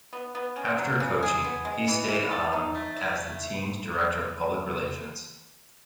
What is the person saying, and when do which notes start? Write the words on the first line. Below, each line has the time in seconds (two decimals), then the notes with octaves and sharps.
After coaching, he stayed on as the team's Director of Public Relations.
0.13 B3
0.35 B3
0.56 C#4
0.78 F#3
1.00 C#3
1.23 G#4
1.44 B3
1.65 G#3
1.88 E3
2.09 E3
2.31 A4
2.53 D#4
2.75 A3
2.97 A3